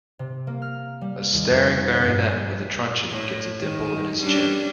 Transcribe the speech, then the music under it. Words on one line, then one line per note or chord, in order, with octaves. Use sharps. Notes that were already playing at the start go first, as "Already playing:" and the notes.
A staring baronet, with a truncheon, gets a dimple in his chin.
C3
A#3
F6
G3
D#2
F2
G2
G#5
B6
A2
D#3
G3 C#4 D4